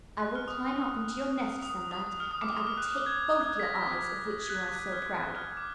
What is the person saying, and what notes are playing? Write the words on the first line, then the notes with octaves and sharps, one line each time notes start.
I will climb up into your nest some night, and I will take both your eyes of which you are so proud.
F#6
F6
D#6
D#6
D#6
F6
D#6
D6
D#6
F6
F#6
G#6
F#6
B6
A#6
A#6
G#6
F#6
G#6
F#6
F#6
F6
F#6
F6
D6